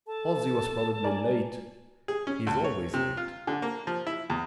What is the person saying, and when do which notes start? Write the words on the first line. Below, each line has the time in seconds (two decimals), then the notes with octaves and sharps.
Halsey was probably late--he is always late.
0.07 A4 A5
1.03 A#4 D5 G#5
2.08 G#4
2.27 C#4
2.47 D2
2.64 C#5
2.94 C3
3.17 F4
3.47 D3
3.62 A#3
3.87 F3
4.07 E4
4.30 E2